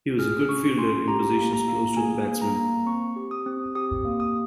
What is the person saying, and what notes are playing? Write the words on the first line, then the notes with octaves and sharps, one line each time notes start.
He was a good fielder in positions close to the batsmen.
G#4 F6
C#4 C#6
C#4 C6
G4 A#5
A#3
A#5
A#3
G#4 G#5
A#3
A#5
A#3
C4 C#6
G4
D#6
C4
G4 D#6
A#3
D#6